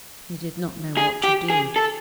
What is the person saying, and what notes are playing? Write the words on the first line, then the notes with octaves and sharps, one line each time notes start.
He did not know what to do.
G#4
G4
G#4
A4